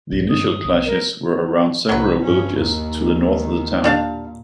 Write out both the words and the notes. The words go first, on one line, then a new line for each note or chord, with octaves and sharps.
The initial clashes were around several villages to the north of the town.
B1 G#2
G2 D#3 D#6
B1
A#4
C2 F#3 B4
G2 C#4
D#2 D#3
A#2 G3 D4 F5